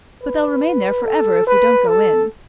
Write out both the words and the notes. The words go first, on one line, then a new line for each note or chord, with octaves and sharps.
But they'll remain there for ever if we don't go in.
B4
A4
B4
A4